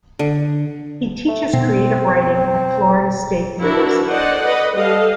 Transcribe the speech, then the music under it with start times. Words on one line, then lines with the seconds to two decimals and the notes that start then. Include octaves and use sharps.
He teaches creative writing at Florida State University.
0.19 D3
1.28 A3
1.54 B2 C4
3.60 D4 E4 F#4 A#4
4.06 A4 C5 D5 D#5 F#5
4.45 B4 D#5
4.76 G3 A4 D#5 F5